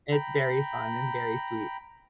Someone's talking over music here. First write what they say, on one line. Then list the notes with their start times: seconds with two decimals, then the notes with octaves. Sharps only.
It's very fun and very sweet.
0.12 G5 A#5 B5